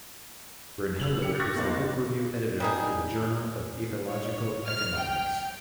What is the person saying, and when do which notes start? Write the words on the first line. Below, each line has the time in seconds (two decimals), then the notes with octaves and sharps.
Brynhildur is the book review editor for the journal of "Ecological Economics".
1.00 E6 F7 F#7
1.22 G4 C#7
1.40 C#6 D6 F#6 G6 A6 A#6
1.55 B1 F2 D3 A#3 C5
2.60 G3 D#4 G#4
4.07 C#5
4.64 F6
4.95 G5